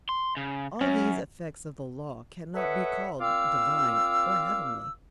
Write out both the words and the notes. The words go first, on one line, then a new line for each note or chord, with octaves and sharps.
All these effects of the Law cannot be called divine or heavenly.
C6
C#3
F#2 C#4
A4 B4 C#5 D#5 E5 F#5
A#2 C4 F4 F5 D6 E6